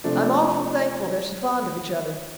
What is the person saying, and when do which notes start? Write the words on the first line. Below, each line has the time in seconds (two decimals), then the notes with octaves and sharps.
I'm awful thankful they're so fond of each other.
0.04 C3 F3 A3 D4